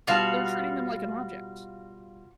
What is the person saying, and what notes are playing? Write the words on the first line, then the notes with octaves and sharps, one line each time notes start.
They're treating them like an object.
B2 G3 F4 F#4 F5 A5